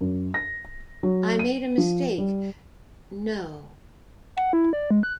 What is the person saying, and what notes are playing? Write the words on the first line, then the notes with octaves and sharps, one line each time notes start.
I made a mistake, no...
F#2
A#6
F#3
D#7
F3
G3
F#5
E4
D5
G#3
F#6